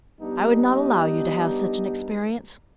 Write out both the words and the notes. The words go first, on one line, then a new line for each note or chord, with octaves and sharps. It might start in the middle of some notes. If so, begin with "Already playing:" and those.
I would not allow you to have such an experience.
G3 B3 D4 D#4